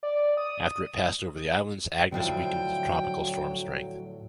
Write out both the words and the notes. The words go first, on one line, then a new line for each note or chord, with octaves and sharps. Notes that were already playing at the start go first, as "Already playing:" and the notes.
After it passed over the islands, Agnes weakened to tropical storm strength.
D5
D#6
D2 A2 F3 F#3 G5